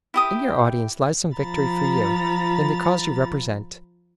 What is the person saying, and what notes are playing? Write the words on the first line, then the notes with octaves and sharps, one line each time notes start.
In your audience lies some victory for you and the cause you represent.
E4 G4 D#6
F3 A#5 B5 A6